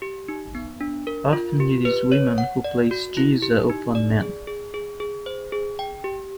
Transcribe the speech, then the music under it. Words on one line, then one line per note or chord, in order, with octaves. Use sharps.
Often it is women who place "geasa" upon men.
G4
D#4
B3
D4
A#4
F4
G4
B4
C#5
F#5
D5
F#4
E4
G4
D#4
D5
G#4
G#4
G#4
G#4
C5
G#4
G5
G4